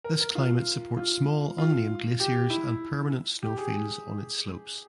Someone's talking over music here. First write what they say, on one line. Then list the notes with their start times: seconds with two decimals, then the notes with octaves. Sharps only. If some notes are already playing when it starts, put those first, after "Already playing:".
This climate supports small unnamed glaciers and permanent snowfields on its slopes.
0.04 A#4
0.20 A#4
0.35 F4
0.97 F4
1.58 F4
2.20 G4
2.50 E4
3.42 G4
3.58 G#4